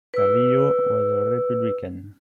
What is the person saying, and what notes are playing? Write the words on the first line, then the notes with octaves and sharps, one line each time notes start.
Carrillo was a Republican.
B4 E6